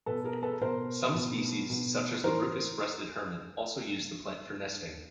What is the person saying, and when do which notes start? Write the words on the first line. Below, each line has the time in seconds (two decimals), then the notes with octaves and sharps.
Some species such as the rufous-breasted hermit also use the plant for nesting.
0.06 B2 A4 B4
0.24 G#4 A#4
0.42 A4 B4
0.61 B2 A#4 C5
1.15 B2
1.70 B2
2.24 A2 E3 A#4 C5